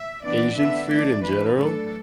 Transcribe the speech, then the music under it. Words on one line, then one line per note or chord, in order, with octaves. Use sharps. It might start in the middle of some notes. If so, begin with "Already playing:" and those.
Asian food in general.
Already playing: E5
E3 B3 D4 D5
D3 B3 D4 E5
E3 A3 D4 D5
E3 D4 B4
A2 F#3 D4 A4